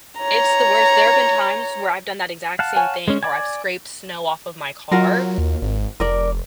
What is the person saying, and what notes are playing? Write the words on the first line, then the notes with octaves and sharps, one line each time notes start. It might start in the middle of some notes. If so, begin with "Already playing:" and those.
It's the worst. There have been times where I've done that exact same thing, or I've scraped snow off of my car,
C#5 A#5
F5 F#5 A5
C#5 G#5
G#3 C#4 C#5
D5 G#5
F#3 F4 F#4 A#4
D#2
G#1
F1 A#4 D5